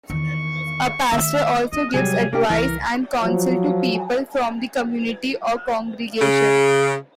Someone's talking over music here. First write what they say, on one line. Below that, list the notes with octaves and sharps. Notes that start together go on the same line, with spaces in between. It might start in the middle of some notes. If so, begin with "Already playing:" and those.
A pastor also gives advice and counsel to people from the community or congregation.
E2 D#3 C#6
D#3 A3 E5
C4 D#5
C3 F#3 G3 G#4 G#5
A#3 D4 G4
C2 C#3 E3 A#4
F3 F#3
C#3